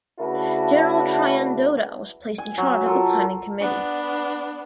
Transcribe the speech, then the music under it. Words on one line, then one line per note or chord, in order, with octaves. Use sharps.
General Traian Doda was placed in charge of the planning committee.
C#3 A3 D4 E4 F#4 B4
G#5
F#3
F4 A4 A#4
B3 D4